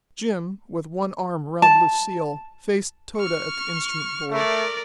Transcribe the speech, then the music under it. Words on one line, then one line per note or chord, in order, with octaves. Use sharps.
Jim, with one arm round Lucille, faced Tode at the instrument board.
A5
C#6 F6
A3 A#4 D5